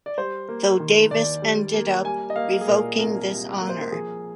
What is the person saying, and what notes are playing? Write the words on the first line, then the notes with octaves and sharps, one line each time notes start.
Though Davis ended up revoking this honor.
D5
G3 C5
A#3
D#3
D#2 D5
G3
A#3
G3 G#5
D#5
A#3 F5
G#4
A#2 A#4
C2 A#4
G3
A#3
C5
A#4
F3 G#4